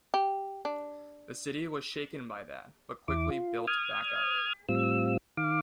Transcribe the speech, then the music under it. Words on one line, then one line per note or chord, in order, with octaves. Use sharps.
The city was shaken by that, but quickly built back up.
G4
D4
E2 E4 D6
F4
D#6 F6 G#6
A2 G3 C4 F4 E6
D#3 F5 D6